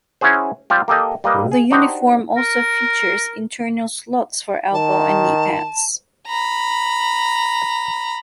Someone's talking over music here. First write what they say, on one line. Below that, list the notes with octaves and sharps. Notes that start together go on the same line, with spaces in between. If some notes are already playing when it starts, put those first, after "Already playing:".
The uniform also features internal slots for elbow and knee pads.
C#4 E4 F#4 G#4 C5
G3 C4 F4 G4
A#3 G4 A4 D#5 G5
G3 A#3 B4 D#5
G#4
D4 D#4 F#4 G4 C5 D#5
A#4
D#3 A5
A#5 B5